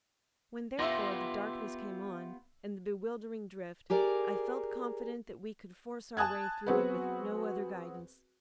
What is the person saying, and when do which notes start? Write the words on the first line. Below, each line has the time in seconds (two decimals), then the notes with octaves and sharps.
When, therefore, the darkness came on, and the bewildering drift, I felt confident that we could force our way through it with no other guidance.
0.79 B3 F4 G4 E5 C6 A#6
3.90 G4 G#4 A#4 D5
6.17 G#5 A5 D#6 F#6 G#6
6.66 F#3 B3 C4 F#4 G#4 B4